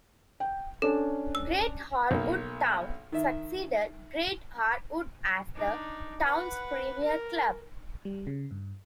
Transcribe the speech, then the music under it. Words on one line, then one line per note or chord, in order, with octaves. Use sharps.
Great Harwood Town succeeded Great Harwood as the town's premier club.
G5
C#4 D4 A4
E6
B1 A#3
D#3 E5
D4 D#4
B4 F#5
A#4
G3
C#3
G2